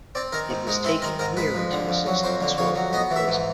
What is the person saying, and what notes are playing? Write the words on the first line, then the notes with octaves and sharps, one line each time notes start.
It was taken merely to assist in swallowing the poison.
C4 D5
D#3 A#4
G#2
G#3 D#4
C4 E4
D#3 A#4
G#2 A#4
G#3 B4
F2
D3
F2
F#3
F2 C5
D3
F2 C#5
F#3
B3 D#5
E3
E5
G#2